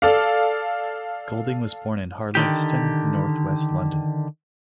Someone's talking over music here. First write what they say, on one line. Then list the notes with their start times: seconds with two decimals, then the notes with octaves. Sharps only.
Golding was born in Harlesden, North West London.
0.02 A4 D5 F5
2.35 D3 D#3 G4